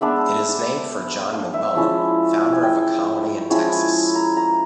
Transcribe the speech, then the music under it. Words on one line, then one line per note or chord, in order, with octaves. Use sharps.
It is named for John McMullen, founder of a colony in Texas.
G#3 B3 D4 E5
F5
E5
F3 G#3 C#4 E4
G#5
G5
F3 G#3 C#4 E4 G#5
G#5
A#5
A#5